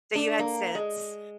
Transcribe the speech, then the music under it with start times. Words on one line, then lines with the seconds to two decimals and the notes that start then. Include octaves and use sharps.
So you had sense.
0.15 D4
0.39 A#3
0.75 G#3